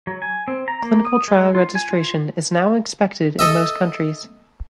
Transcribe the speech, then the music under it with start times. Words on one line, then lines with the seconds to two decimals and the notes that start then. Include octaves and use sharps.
Clinical trial registration is now expected in most countries.
0.07 F#3
0.22 G#5
0.48 C4
0.68 A#5
0.82 A#3
1.05 D#6
1.28 G#3
1.55 F4
1.75 G#5
1.91 F4
3.39 A4 D#5 E5